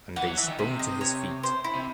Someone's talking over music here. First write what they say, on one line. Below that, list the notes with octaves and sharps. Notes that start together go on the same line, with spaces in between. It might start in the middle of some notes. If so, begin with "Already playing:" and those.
And they sprung to his feet.
E3 F#5
F#3
E3 E5
D#3
C3 E5
D#5
C#5
C5
E4
C3